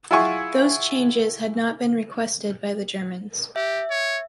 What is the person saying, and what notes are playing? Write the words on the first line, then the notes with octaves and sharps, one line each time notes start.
Those changes had not been requested by the Germans.
E4 F4 G#4 F#5 G#5 C#6
G4 E5
C#5